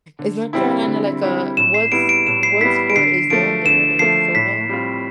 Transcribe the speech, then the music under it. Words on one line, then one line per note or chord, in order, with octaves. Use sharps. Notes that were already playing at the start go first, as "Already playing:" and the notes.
Is North Carolina like a what's what sport is known there? Like football?
D3
G3 C4 E4
D3
G3 C4 E4
A2 E7
C7
G3 B3 E4 D7
D7
A2 E7
C7
G3 B3 E4 B6
D7
D3 C7
F3 A3 D7
D3 E7
F3 A3 C7
A2 B6
G3 C4 F4